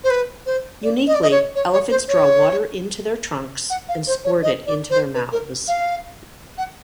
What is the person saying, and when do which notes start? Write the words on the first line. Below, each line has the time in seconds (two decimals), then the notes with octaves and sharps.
Uniquely, elephants draw water into their trunks and squirt it into their mouths.
0.04 C5
0.10 B4
0.46 C5
0.83 D5
1.07 D#5
1.15 D5
1.22 D#5
1.31 C#5
1.55 C#5
1.73 C#5
1.90 C5
2.08 C#5
3.70 F#5
3.89 F5
4.07 C5
4.24 C#5
4.43 D#5
4.67 D5
4.90 C5
5.15 B4
5.32 A#4
5.68 F5
6.58 F#5